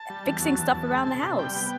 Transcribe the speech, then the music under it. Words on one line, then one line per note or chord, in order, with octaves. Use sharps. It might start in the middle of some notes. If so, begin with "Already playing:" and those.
e fixing stuff around the house
Already playing: A5
G3
E2
F#3
E2
E2
G#3
C3
C3
G3 G5
B3